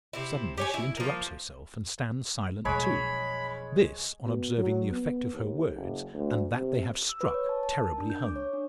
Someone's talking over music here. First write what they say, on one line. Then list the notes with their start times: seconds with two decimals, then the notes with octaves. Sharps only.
Suddenly she interrupts herself, and stands silent too--this on observing the effect of her words, and that they have struck terribly home.
0.13 C3 C4 E4
0.58 G4 C#5 G#5
0.74 E4
0.97 F3 A#3
2.65 B1 F2 G#3 C#5 B5
4.25 B2
4.58 F#3
4.91 B3
5.34 D#2
5.76 F#1
6.14 D2
6.56 C3
7.09 E6
7.21 B4
7.34 C#5
7.49 A5
7.63 A5
7.83 A#4
7.98 D4
8.10 G6
8.23 D6
8.36 C#5
8.53 D4